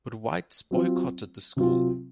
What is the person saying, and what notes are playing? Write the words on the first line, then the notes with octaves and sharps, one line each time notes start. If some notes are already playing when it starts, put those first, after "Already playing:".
But whites boycotted the school.
F#3 C4 F4
C3 F#3 C4 F4